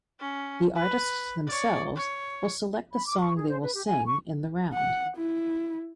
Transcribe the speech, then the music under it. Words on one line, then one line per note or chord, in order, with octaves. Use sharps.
The artists themselves will select the song they will sing in the round.
C#4
B4
C#5 D5
C#5
B5
D6
C#6
G#4
C5
B4
G4
G#5
C#6
F#5
E4